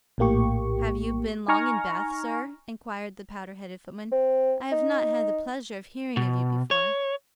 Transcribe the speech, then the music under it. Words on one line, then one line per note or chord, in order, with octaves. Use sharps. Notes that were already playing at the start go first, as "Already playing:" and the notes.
'Have you been long in Bath, sir?' inquired the powdered-headed footman. 'I have not had the pleasure of hearing of you before.'
A#1 A2 A#3 G4 C#6
D#4 G#5 A#5 C#6 F6 A#6
C4
D#4
B2
C#5